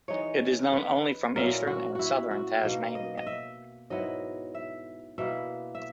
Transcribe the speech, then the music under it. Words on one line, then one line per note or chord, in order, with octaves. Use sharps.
It is known only from eastern and southern Tasmania.
E3 G#3 D#4 C#5
B4
A#2 F#3 C#4 E4 A#4
F#4
E4 F#4
F#4
B2 A#3 D#4
D#5
D#5
E5
G#2 F#3 B3 E4 D#5
E5
B2 A#3 E4 E5
E5